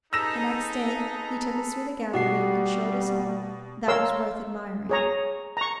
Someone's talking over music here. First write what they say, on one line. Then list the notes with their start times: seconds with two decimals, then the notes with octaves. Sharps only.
The next day he took us through the gallery, and showed us all that was worth admiring.'
0.13 D#4 G#4 A4 B4 A#5 E6 A#6 E7
2.13 B2 G3 G4 F#5 C7
3.88 A#4 C#5 F5 C6 E6
4.89 G#4 C#5 A#5
5.57 A#5 C#6